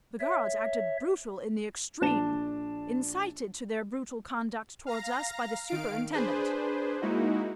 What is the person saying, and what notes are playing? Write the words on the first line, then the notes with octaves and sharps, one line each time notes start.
The guards acted brutal in the extreme, incited to their brutal conduct towards us, . . , by the superintendent.
C#5 E5
A#1 D4 A5 E7 G7
F5 A#5 A#6
D#3 F5 D7
D4 G#4 B4 C5
G#3 A#3 D#4 E4 F#4